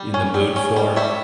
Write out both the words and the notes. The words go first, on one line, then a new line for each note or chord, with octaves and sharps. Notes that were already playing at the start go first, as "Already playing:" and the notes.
in the mood for.
Already playing: G3
C#4
G3
C#4
G3
G3 C#5 E5